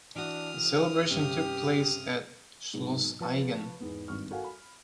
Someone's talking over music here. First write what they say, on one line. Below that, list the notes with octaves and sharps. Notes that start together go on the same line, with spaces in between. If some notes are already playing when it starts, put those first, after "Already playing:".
The celebration took place at Schloss Aigen.
E3 D4 F#4 D#6 F6
C#3
G2 C3 C#4 G4
G#2 B2 F#3
F3 B4 A5 C#6
E2 G#2 B3
G#1 G2 C#6 F6
F#4 A4 A#4 F5 F#5 G#5
B5